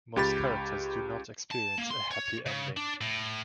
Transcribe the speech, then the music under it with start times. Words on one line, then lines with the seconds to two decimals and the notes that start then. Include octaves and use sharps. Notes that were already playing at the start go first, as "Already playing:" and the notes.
Most characters do not experience a 'happy ending'.
0.16 C#2 G4 B5 A6
1.51 A5
1.78 A#3
1.90 C6
2.11 C#5
2.46 C#3
2.77 D4
3.01 A2